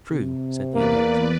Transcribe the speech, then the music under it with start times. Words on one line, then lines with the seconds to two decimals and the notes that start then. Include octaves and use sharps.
"True," said the Idiot.
0.10 C3
0.75 E2 A#3 B4 D5